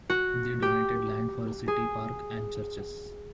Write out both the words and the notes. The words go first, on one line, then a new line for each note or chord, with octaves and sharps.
They donated land for a city park and churches.
F#4
G4
G#4